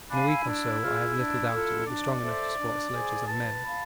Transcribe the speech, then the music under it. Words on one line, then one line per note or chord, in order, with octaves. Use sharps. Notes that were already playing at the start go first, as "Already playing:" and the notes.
In a week or so I have little doubt it will be strong enough to support sledges and men.
D4 F5 G#5 B5
E4
D4
F4 G#4
D4
F4 A4
D4 D5
A4 C5 E5
D4
G#4 C5 G#5
B4 A5
F5 B5